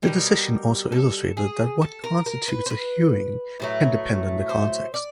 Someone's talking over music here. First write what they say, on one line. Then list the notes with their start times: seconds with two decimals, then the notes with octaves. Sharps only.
The decision also illustrated that what constitutes a "hearing" can depend on the context.
0.03 B2 G3 A#4
0.92 A4
1.37 G#4
1.82 A4
2.04 A#4
2.26 A#4
2.48 B4
2.66 C5
2.70 B4
3.60 A2 F#3 A3
4.49 C5
4.94 D5